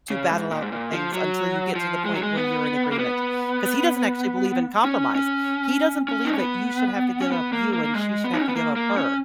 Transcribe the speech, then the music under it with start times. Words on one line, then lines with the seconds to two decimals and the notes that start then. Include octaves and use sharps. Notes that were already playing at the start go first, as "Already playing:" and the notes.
to battle out the things until you get to the point where you're in agreement." 'Cause he doesn't actually believe in compromise. He doesn't believe that you should have to give up you and she should have to give up her.
0.10 C#3
0.31 G#2
0.51 A#2
0.62 G#2
0.72 A#2
0.93 F3
1.13 F#3
1.75 F3
2.05 G#3
2.15 F#3
2.23 G#3
2.36 B3
2.92 A#3
2.99 B3
4.85 C#4
5.15 C#4
6.08 C#4
6.25 D#4
6.32 C#4
6.39 B3
7.22 C#4
7.32 B3
7.53 A#3
7.73 A#3
7.84 A#3
7.94 G#3
8.24 B3
8.34 D#4
8.42 C#4
8.49 B3
8.56 A#3
8.76 A#3
8.97 C#4